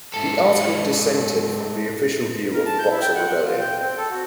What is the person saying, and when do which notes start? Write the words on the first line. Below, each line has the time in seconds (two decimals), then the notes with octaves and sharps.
The article dissented from the official view of the Boxer Rebellion.
0.14 G#2 A4
2.53 A#4
2.66 A5
2.79 G6
2.90 E4
3.01 G5
3.15 F#5
3.28 F#5
3.45 F4
3.59 G5
3.81 C4
3.97 A4
4.10 F#4